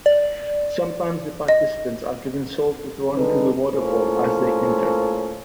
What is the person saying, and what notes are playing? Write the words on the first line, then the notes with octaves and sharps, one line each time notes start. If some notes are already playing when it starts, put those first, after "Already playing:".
Sometimes the participants are given salt to throw into the waterfall as they enter.
D5
D#5
D3 G3 G#3 D#4 A4 B4
A2 A#3 C#4 F4 A4 C5